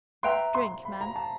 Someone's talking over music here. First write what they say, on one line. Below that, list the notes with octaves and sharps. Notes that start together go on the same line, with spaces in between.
Drink, man!
B4 E5 G5 A#5 C6
C6
B5
A#5
A5